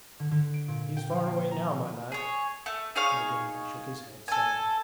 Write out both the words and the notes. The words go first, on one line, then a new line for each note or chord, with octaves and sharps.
'He is far away now, my lad! ...' And again he shook his head sadly.
D3
D3
D7
A#2
G5
F3
A#3
A#5
G#4 C#5
A3
D#4 G#4 C#5 F5
A4 G#5